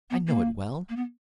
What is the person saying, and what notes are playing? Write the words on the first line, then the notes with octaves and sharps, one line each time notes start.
I know it well.
B3
A#3
A#3
B3